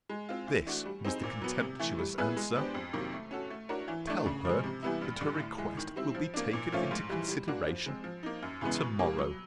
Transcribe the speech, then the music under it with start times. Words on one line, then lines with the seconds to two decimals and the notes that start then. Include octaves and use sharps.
This was the contemptuous answer: 'Tell her, that her request will be taken into consideration to-morrow.'
0.09 G#3
0.29 C4 F4
0.47 E3
0.67 A3 D4 F#4
0.85 G3
1.05 C4 D#4 G#4 C5
1.24 A#2
1.42 F#3 B3
1.61 C3
1.79 E3 A3
1.99 G3
2.18 B3 E4 G#4 B4
2.37 G#3
2.56 B3 D4 G4 C5
2.74 F2
2.93 C3 D#3 F#3 A#3
3.13 A3
3.31 C#4 F#4 A4
3.50 A3
3.69 D4 F#4 A#4 C#5
3.88 E3
4.07 A3 D4
4.26 C#3
4.45 F3 G#3
4.64 C3
4.82 E3 G3 B3 E4
5.01 G2
5.21 D3 G3
5.40 A2
5.58 E3 G#3
5.77 D#3
5.96 G3 C4 E4
6.15 F3
6.34 A#3 D4
6.53 A#2
6.72 F3 A3 C#4 F4
6.91 G#2
7.09 E3 G3
7.29 G3
7.48 A#3 D4 F#4
7.67 F3
7.86 G#3 C4
8.04 F3
8.23 A#3 D#4
8.42 F#2
8.61 C#3 E3 G#3 B3
8.80 B2
8.99 G3 A#3
9.18 F#3